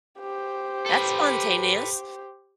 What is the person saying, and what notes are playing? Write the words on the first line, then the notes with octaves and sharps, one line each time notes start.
that's spontaneous.
G4 C5
A4 B4